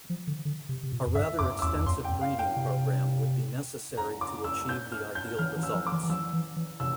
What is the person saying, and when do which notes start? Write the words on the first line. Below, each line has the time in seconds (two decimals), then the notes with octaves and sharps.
A rather extensive breeding program would be necessary to achieve the ideal results.
0.10 F3
0.27 D3
0.45 D3
0.69 C3
0.83 C3
0.92 A#2
1.07 F2
1.15 G2 E5
1.39 F2 D6
1.59 E6
1.62 E2 D6
1.75 E2
1.86 F2 C6
2.04 G5
2.09 F2
2.21 F5
2.39 G5
2.56 C3
3.97 A#5
4.21 D6
4.44 E6
4.69 G6
4.92 F6
5.15 G6
5.39 E3 F6
5.56 E3
5.63 E6
5.75 F3
5.87 D6
5.92 E3
6.04 E3
6.10 F3 E6
6.33 E3
6.56 E3
6.80 C3 E6